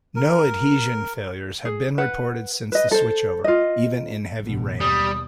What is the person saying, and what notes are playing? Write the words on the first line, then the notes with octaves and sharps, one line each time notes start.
No adhesion failures have been reported since the switchover, even in heavy rain.
A#4
G#4
B4 F#5
B4 D#5
A4 C5
F4 D#5
A1 B2
D#2 B2 G3 D#6